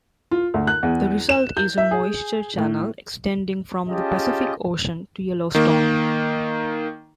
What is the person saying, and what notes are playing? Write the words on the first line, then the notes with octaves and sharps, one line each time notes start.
The result is a moisture channel extending from the Pacific Ocean to Yellowstone.
F4
D2
F#6
E2
E7
G6
E5
G#4
A2
C#4 F4 G4 G#4 D#5 A5
D#3 A#3